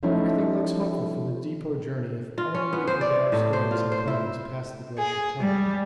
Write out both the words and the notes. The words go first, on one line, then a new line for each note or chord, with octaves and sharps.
Everything looks hopeful for the depot journey if only we can get our stores and ponies past the Glacier Tongue.
F3 A3 C#4 D#4 E4
F4
C#4
B3
C5
D5
A2
C5
F4
C5
E4
G#4
G3